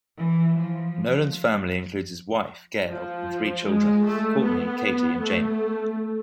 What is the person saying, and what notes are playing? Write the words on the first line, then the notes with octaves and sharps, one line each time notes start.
Nolan's family includes his wife, Gail, and three children, Courtney, Katie and Jamie.
E3
F3
F3
G#3
A3
B3
A3